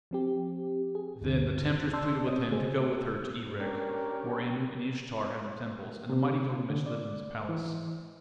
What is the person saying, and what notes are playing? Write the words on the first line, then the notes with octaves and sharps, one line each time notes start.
Then the temptress pleaded with him to go with her to Erech, where Anu and Ishtar had their temples, and the mighty Gilgamesh lived in his palace.
F3 C4 G4
G#4
D2 G2 B2 D3
D5 A5 C6 E6 G6
C4 C#5 D#5 D#6
C#3 A3 F#4 G#4 C5
C#4 D4 G4 A#4
C3
D3
D5
E3